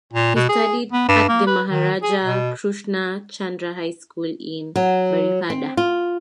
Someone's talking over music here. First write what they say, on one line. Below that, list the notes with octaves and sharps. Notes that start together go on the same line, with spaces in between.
He studied at the Maharaja Krushna Chandra High School in Baripada.
A#2
B2
G#4
B3
G2
A#3
B4
D#3
G#4
B2
F#3
C4
F4